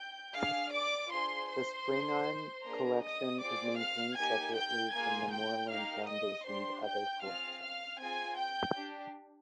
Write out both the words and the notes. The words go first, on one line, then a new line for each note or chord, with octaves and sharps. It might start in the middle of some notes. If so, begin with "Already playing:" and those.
The Spingarn Collection is maintained separately from the Moorland Foundation's other collections.
Already playing: G5 G6
D4 G#4 F5 F6
D5 D6
D4 F4 G#4 C5 C6
C5 C6
D4 G#4
A#3 D4 G#4 A#4 A#5
D#5 D#6
C4 F4 G#4 D5 D6
F5 F6
A#3 D#4 G4 G#5 G#6
G5 G6
A#3 F4 G#4 G#5 G#6
G5 G6
A#3 D#4 G4 F5 F6
D#5 D#6
D4 G4 C5 C6
G5 G6
C4 F4 G#4 F5 F6
F5 F6
C4 F4 G#4 G#5 G#6
G5 G6
D4 G4